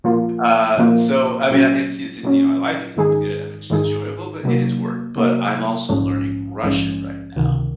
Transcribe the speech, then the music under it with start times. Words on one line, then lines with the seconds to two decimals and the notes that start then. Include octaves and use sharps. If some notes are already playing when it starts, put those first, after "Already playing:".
uh, so, I mean, uh, it's it's, you know, I like it, I'm good at it, I'm just enjoyable, but it is work, but I'm also learning Russian right now.
0.04 A#2 F3 A#3 F4
0.77 A#2 F3 A#3 F4
1.50 A#2 F#3 C#4
2.23 A#2 F#3 C#4
2.96 G#2 D#3 G#3 D#4 G#4
3.70 G#2 D#3 G#3 D#4 G#4
4.43 C3 F#3 A#3
5.16 C3 F#3 A#3
5.89 A#1 G#2 F3 G#3 C#4
6.63 A#1 G#2 F3 G#3 C#4
7.36 C#2 C3 D#3